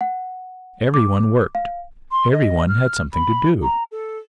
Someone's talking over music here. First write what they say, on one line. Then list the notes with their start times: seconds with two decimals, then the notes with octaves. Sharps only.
Everyone worked, everyone had something to do.
0.01 F#5
0.94 D6
1.55 F5
2.12 C6
2.32 D#5
2.69 F6
3.14 B5
3.63 A#5
3.92 A4